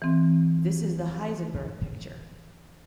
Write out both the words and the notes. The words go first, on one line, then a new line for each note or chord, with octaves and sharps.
This is the Heisenberg picture.
E3 C4